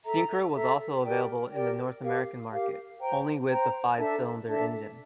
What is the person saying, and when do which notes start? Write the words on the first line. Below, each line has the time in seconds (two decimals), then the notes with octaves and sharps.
Syncro was also available in the North American market, only with the five-cylinder engine.
0.05 A4 E5 A#5
0.54 A4 E5 A#5
1.04 G4 A#4 D5 G5
1.53 G4 A#4 D5 G5
2.02 G4 A#4 F5
2.51 G4 A#4 F5
3.00 C5 G5 A#5
3.49 C5 G5 A#5
3.98 D4 A4 E5 A5
4.48 D4 A4 E5 A5